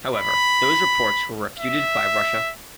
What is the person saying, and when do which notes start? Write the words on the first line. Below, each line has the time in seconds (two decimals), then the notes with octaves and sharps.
However, those reports were refuted by Russia.
0.14 B5
1.59 E5